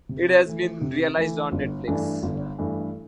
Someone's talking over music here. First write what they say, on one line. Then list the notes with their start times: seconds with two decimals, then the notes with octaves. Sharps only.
It has been releazed on netflix.
0.09 C3
0.46 E3 A3
0.81 C3
1.16 E3 A3
1.52 G1
1.88 G2 E3 A3 D4
2.23 G1
2.59 G2 E3 A3 D4